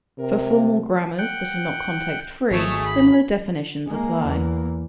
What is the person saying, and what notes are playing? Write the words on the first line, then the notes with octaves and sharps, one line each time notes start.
For formal grammars that are not context-free, similar definitions apply.
C3 A#4
F#5 G5
G#1 A3 G#4 C#5
B5
G#3 A#3
E2 A#3